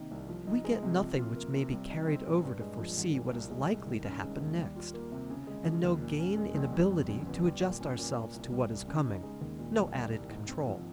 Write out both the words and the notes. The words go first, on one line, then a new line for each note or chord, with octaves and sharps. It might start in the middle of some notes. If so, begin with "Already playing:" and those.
We get nothing which may be carried over to foresee what is likely to happen next, and no gain in ability to adjust ourselves to what is coming--no added control.
Already playing: C3 D#3 A#3
C2
F3
D#4
G#3
C3
F3
F4
A#3
C3
G3
D#4
C4
A#2
G2
G#3
F3
G#1
A#2
C2
G#3
C2
D#3
C#4
G#3
D#2
G3
F4
A#3
C3
C#3
G#3
F3
D#2
A#2
C#4
G#3
A#1
F2
G3
C#3
G1
G3
A#2
C#4
A#2
A#2
C2
G3
C2
C#3
D#4
G#3
D#2
A#2
C2
G3
C2
G#2
C4
F3